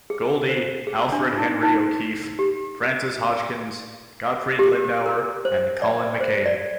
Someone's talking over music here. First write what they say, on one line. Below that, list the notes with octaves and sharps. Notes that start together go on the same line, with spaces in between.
Goldie, Alfred Henry O'Keeffe, Frances Hodgkins, Gottfried Lindauer and Colin McCahon.
G#4
C5
G#4
D4
D#4
D#4
G4
G4
G#4
A#4
C5
D5
C5
D5